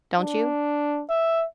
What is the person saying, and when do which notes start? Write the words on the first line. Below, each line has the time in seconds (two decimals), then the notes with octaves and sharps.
don't you?
0.20 D4
1.10 E5